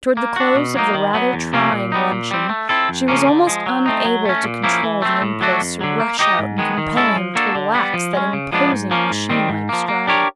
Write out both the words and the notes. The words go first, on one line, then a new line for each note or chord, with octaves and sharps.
Toward the close of the rather trying luncheon she was almost unable to control the impulse to rush out and compel him to relax that imposing, machine-like stride.
A#3
D4 F#4
B2
F#3 A#3 D#4
D#3
F#3 B3
E2
C3 F3 A#3 C#4
A#2
G3 B3 D#4
A#2
G3 C4
A3
C4 E4 A4
F2
C#3 F3 A#3 C#4
D3
F3 G#3
F#3
A3 C4 D#4
F#3
A3 C#4
A#2
F3 A#3 C#4 E4
E3
A3 C4
A2
F#3 A3 D4 F#4
F2
D3 F#3
A#3
D#4 G4 C5 D#5
G#2
D#3 G#3 B3
D#3
G#3 C#4 E4 A4
F3
A#3 D4 F#4 A4
D3
G3 B3
F3
G#3 C#4
C#3
F3 G#3 B3 D4
G#2
F3 A#3 C#4
G#2
D#3 G3 C4
G#2
F3 A#3
A#3
D4 G4 A#4 C#5